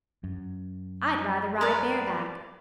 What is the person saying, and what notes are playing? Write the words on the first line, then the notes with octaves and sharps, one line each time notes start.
I'd rather ride bareback.
F#2
A#4 B4 D5